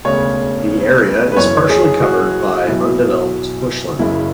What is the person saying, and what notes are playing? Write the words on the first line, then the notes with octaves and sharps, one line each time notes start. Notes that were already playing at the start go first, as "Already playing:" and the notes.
The area is partially covered by undeveloped bushland.
E1 D2 C#3 C#5
B4
F#1 F#2 E3 C#5
G#4
F#4
B1 B2 F#3 E4
F#1 F#2 C#3 E4